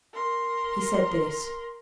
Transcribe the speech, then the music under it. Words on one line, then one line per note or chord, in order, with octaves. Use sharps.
He said this.
A#4 C6